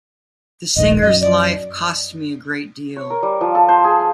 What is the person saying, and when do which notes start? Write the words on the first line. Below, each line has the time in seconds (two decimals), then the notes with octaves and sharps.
The singer's life cost me a great deal.
0.76 D#1 A#1 D#3 D#5
1.02 F#2 F#3 D#5
1.21 D5
2.97 C#5
3.10 A#4
3.23 G3
3.41 F3
3.55 A4
3.69 C5
3.84 G#4
4.00 F5